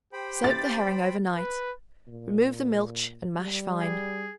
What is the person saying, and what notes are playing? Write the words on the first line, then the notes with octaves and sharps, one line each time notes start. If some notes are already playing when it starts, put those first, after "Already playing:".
Soak the herring over night; remove the milch and mash fine.
G4 C5 G5 B5
A6
B4
A#2
G3
G#4